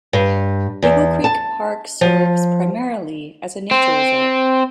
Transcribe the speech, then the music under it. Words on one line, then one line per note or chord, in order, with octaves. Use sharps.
Eagle Creek Park serves primarily as a nature reserve.
G2
E2
A5
F3
C4